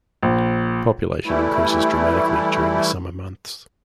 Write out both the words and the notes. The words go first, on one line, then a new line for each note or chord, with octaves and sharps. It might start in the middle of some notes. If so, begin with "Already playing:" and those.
Population increases dramatically during the summer months.
A#1
E3 G3 A3 E4